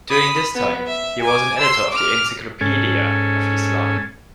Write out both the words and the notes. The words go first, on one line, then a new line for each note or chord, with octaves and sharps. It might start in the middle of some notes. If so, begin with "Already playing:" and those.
During this time he was an editor of the Encyclopaedia of Islam.
B5 D#6
B3
E5
G#5 D6
C6 E6
D6 F6
G#2 C#4 A4 G#5